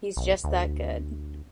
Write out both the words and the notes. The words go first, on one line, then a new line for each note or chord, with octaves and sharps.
He's just that good.
B1
D2